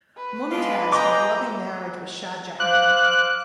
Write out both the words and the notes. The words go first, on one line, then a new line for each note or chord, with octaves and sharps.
Mumtaz had a loving marriage with Shah Jahan.
B4
G#3 B3 D4 F4
D#5 G5 G#5 A#5 C6 D6
C5 F5 D6 F#6